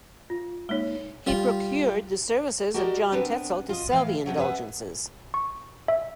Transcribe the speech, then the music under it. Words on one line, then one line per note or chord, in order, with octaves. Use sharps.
He procured the services of John Tetzel to sell the indulgences.
F4
G#3 A#3 D#4 C#5 G7
G3 F4
F#4 G4 A4 A#4 D5 D#5
B3 C4 D4 A#4 B4
F4 D#5
A2 E3 F5
C3 D#3 F3 F#3
G#4 B4 C#5 E5 F#5
C#6
E5